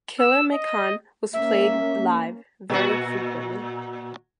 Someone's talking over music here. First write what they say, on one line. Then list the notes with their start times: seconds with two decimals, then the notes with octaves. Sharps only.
"Killer McHann" was played live very frequently.
0.20 E6
0.52 D#5
1.33 A#3 C#4 E5
2.70 A#2 F#4